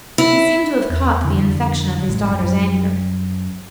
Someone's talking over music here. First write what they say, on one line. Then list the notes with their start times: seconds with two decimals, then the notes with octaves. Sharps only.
He seemed to have caught the infection of his daughter's anger.
0.18 E4
0.90 E2
1.25 F2 D3 E3
2.08 A1 G#3
2.30 F#2